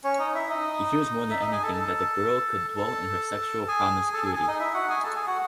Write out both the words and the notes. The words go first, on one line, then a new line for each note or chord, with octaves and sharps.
He fears more than anything that the girl could dwell in her sexual promiscuity.
C#4 C#5
D#4 D#5
E4 E5
D#4 D#5
E5
D#4 D#5
G#4 G#5
A4 A5
A4 A5
A4 A5
G#4 G#5
A4 A5
G#4 G#5
G#4 G#5
D#4 D#5
E4 E5
F#4 F#5
G#4 G#5
A4 A5
G#4 G#5
F#4 F#5